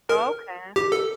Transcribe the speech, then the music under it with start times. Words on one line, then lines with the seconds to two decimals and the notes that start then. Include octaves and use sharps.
Oh, okay.
0.09 A#4
0.76 G4
0.92 A4